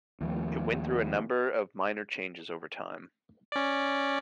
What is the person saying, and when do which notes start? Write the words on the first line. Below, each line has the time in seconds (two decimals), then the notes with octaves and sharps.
It went through a number of minor changes over time.
0.21 D#2 F3 A3
3.52 C#4 D5